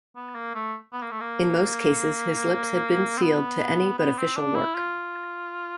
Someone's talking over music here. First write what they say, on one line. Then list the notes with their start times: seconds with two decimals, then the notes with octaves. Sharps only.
In most cases, his lips had been sealed to any but official work.
0.16 B3
0.35 A#3
0.55 A3
0.93 B3
1.03 A#3
1.11 A3
1.21 A#3
3.18 C4
3.22 B3
3.98 B3
4.18 C4
4.36 D4
4.56 E4
4.74 F4